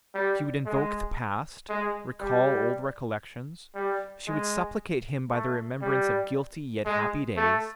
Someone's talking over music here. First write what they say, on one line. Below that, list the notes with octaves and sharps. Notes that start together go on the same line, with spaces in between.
She would invoke the past, recall old recollections; she would supplicate him by the remembrance of guilty, yet happy days.
G3
G#3
G#3
G3
G3
G#3
A3
G3
G#3
A3